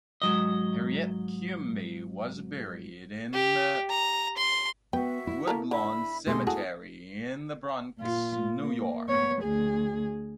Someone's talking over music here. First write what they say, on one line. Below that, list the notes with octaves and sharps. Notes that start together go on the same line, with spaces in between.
Harriet Quimby was buried in the Woodlawn Cemetery in The Bronx, New York.
G#2 F#3 D#5
G4
A#5
C6
B3 F#4 E5 G5
E4
A#3 A4 A#4
D3 E5 B5
B2 G3 A3 G#4 C6
E4 F#4 G#4 A4 D#6
A#2 F4
A#3
B3 C#5
D2 G#4